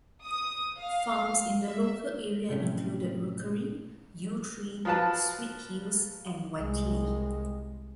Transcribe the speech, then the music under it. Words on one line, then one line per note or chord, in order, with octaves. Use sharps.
Farms in the local area included Rookery, Yew Tree, Sweethills and Whiteley.
D#6
F5
E5
A2 C3 C4 C#4 E5
F3 F#3 F4 B4 A5
C2 G#3